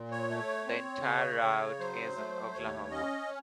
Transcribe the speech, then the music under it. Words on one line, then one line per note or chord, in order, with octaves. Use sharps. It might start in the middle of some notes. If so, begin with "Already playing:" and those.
The entire route is in Oklahoma.
Already playing: A#2
C#5
A3
C4
C#3
C#3
F#3 C5
A3
D#2 C#5
C#4 D#5